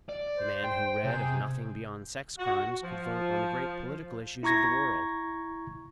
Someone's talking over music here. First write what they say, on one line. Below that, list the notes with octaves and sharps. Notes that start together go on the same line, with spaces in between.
The man who read of nothing beyond sex crimes could vote on the great political issues of the world.
D5
C5
G5
C3 G#4 G6
F#4
F3
E4 A#5 C#6 G#6 A#6